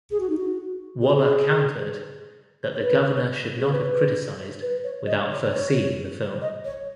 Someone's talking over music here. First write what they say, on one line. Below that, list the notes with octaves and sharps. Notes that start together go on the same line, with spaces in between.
Waller countered that the Governor should not have criticized without first seeing the film.
G#4
F#4
D#4
F#4
G#4
F#4
G#4
C#5
B4
G#4
B4
B4
C#5
D#5
C#5
C#5
D#5
C#5